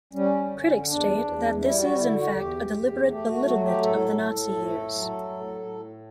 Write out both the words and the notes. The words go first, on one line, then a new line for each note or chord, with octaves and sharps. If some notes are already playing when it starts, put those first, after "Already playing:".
Critics state, that this is in fact a deliberate belittlement of the Nazi years.
G3 C#4
D3
E2 D4
E2
G3 E4
F#4
D3 E4
F#4
E2 G4
E2
A3 G4
F#4
F#3 F#4
G4
A2 A4
A2
A3
F#3
A2
A2